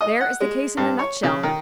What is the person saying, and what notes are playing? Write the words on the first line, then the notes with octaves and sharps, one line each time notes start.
There is the case in a nutshell.
D#5
F#5
G#3
G2
C#5
C#3
D#3